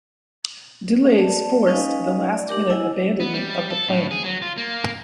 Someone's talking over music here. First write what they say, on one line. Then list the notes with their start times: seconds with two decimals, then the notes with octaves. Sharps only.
Delays forced the last-minute abandonment of the plan.
1.18 D5 A5
1.67 C#4 D#4 B4 D#5 F5 G#5
2.33 D5
2.48 D4 G4 A#4 D6
2.70 E4 D#5 F#5 G#5
3.20 B3
3.34 G3
3.70 A4
3.89 A2
4.11 G#4
4.24 F#3
4.42 F4
4.58 A#3